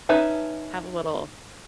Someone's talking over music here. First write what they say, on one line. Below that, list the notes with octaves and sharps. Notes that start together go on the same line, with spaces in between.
have a little
C#4 D#4 B4 E5 A5